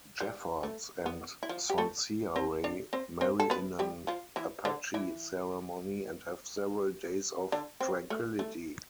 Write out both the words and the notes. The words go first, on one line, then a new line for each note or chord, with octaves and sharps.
Jeffords and Sonseeahray marry in an Apache ceremony and have several days of tranquility.
G3
A3
B3
E4
F3 F4
G4
A3 A4
C4 C5
D4 D5
C4 C5
C4 C5
A4
B3 B4
G3 G4
F3 F4
E3 E4
D3 D4
E3 E4
D3 D4
C4
A3
A3